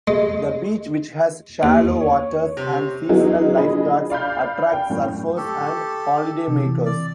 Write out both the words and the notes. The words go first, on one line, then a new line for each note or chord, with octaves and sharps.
The beach, which has shallow waters and seasonal lifeguards, attracts surfers and holidaymakers.
G#3
D#2
C#5
C3 C5
F#3 B3 D#4 E4 G#4
A#1 F3 G#4 D#5 B5
D5 F5 B5 G6
G5
F#2 A2
G4 A4 C#6
C3 E3
D5